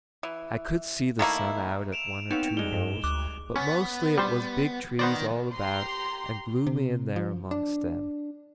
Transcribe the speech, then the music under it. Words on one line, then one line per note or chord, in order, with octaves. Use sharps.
I could see the sun out at one or two holes, but mostly it was big trees all about, and gloomy in there amongst them.
E3
D#3 A3 A#3 E4
D7 E7 F7
B3 C4 D#4 C#5 F5 E7
G3 G#3 G7
G2
D2 D6 F#6
B3 C#4
G3 C5
D#3 B3 C5 D5
G4 A#5 C6 C7
C3
F3
D4